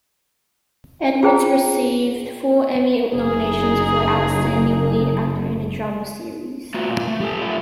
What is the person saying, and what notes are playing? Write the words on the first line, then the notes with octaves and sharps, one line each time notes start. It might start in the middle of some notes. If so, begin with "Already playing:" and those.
Edwards received four Emmy nominations for "Outstanding Lead Actor in a Drama Series".
F4 G#4 C5 G5 A#5
F#1 D#4 G#4
A3 F4 F#4
A#2
A3
G4 A4
F#2 A3 F4 E5